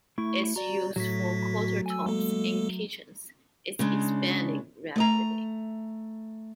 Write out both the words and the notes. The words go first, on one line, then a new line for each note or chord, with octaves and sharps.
Its use for countertops in kitchens is expanding rapidly.
A3 E4 C#6
F#4 D5 A#5
A2 F#3 A3 F#4 B6
G#5 E6
G#3 A#3 A4
C#3 G#3 D4
A3 D#5 A#5